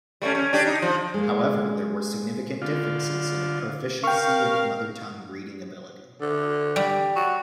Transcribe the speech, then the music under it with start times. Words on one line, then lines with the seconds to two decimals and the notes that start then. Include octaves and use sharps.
However, there were significant differences in the proficiency of mother tongue reading ability.
0.22 G3 A3 C#4
0.35 C#4
0.53 D4 G4
0.67 D#4
0.82 F3
1.14 G#3 A#3
2.62 D3 F4
4.04 A#4 F5 G5 C#6
6.21 D3
6.76 G3
7.16 F#4